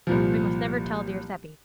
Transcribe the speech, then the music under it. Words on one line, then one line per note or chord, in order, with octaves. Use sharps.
We must never tell dear Seppy.
C2 A#2 F3